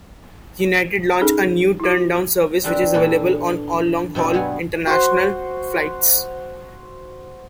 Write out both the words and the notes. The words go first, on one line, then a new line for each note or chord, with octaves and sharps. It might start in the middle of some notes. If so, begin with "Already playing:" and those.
United launched a new turn-down service which is available on all long-haul international flights.
C#4 D#4 G#4 A4
E4 F#4
G3 C4 D4 A#4 B4 D5
A#2 E3 D4 E4 A4
G2 B2 C4 D5
G2 F#3 B3 G#5
F#4 C5